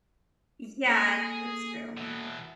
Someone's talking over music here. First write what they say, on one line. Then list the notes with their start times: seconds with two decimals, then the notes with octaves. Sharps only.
Yeah, that's true.
0.87 A#3 G#4 A4
1.97 B2 E3